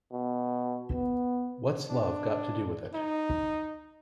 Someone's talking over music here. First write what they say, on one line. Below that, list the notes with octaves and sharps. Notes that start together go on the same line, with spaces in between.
What's Love Got to Do with It?
B2
B3
D4
D#4